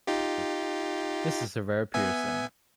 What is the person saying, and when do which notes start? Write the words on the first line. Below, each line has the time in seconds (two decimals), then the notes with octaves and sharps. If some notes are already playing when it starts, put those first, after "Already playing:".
This is a rare piercing.
0.07 D#4 F4 G4
1.94 B3 E5 G#5